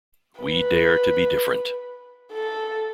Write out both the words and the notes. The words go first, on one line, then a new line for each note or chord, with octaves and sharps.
We Dare to Be Different.
B4
A4